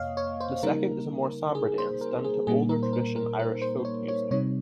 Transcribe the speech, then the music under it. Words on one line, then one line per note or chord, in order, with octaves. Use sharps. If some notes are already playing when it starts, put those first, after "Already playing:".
The second is a more sombre dance done to older tradition Irish Folk music.
Already playing: F2 C3 A#3 C#5 D#5 F5
C#5
C5
C#3 G3 A#3 D#4 A#4
G#4
C5
A#4
G#4
A#2 G3 A#3 D#4 G#4
A#4
C5
A#4
A#4
A#4
C5
C#5
C#5
C3 G3 C4 D#4 C#5